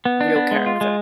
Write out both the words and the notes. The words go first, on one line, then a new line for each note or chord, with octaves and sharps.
real character,
B3
D4
B3
G#3
F4
G#3